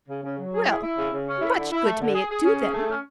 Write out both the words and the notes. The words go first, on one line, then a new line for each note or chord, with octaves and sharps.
Well, much good may it do them!
C#3
C#3
F#3
G#4
E4
E4
C#3
C#3
C#4
E4
D3
E4
A3
D3
G#4
G#4
C#4
G#4
A3
C#4